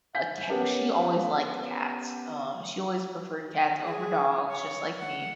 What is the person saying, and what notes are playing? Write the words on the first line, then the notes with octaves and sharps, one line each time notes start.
a ca oh, she always liked cats. Um, she always preferred cats over dogs just like me,
G#5 G6 B6
B3 C#4 G4 A#4 A5
G#4
C#5
F#5